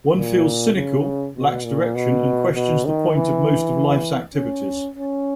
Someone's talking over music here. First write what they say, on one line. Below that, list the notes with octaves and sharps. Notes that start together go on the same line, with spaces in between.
One feels cynical, lacks direction, and questions the point of most of life's activities.
A#2
C#3
B2
A#2
B2
B2
D#3
E3
C#4
C#4